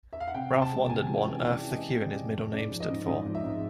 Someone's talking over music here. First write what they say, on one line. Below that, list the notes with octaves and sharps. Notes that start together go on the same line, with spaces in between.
Ralph wondered what on earth the Q in his middle name stood for.
E5
F5
F#5
C3 G5
C3
A5
G#3
G#3 G#5
E3
G5
E3
G#3 D5
E3
D#5
G#3
C3
F2
G#3
G#2 D5
F3
D#5
G#2
G#2 D#5
F3
E5
G#2